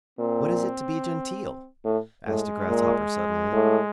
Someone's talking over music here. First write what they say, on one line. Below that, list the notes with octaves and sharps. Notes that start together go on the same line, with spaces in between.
"What is it to be genteel?" asked a Grasshopper suddenly.
A#2 C4
A2
A2 G#3
A#2
A2